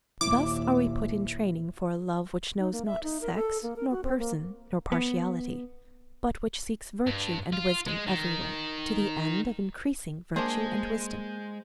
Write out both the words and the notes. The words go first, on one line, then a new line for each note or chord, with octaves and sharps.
Thus are we put in training for a love which knows not sex, nor person, nor partiality, but which seeks virtue and wisdom everywhere, to the end of increasing virtue and wisdom.
D#2 A#2 E4 C5 D6
D#4
A#3
E5
D#4
A#4
A4
A#3
A#4
F#4
C4
A#3
B3
G2
F4
G#3
D#3
G#3 A#3 D4 G#4 C5